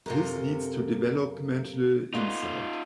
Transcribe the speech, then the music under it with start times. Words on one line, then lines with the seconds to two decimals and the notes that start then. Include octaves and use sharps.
This leads to developmental insight.
0.06 F#2 C3 F4 A4 A#4
2.14 A3 B3 D#4 F4 D5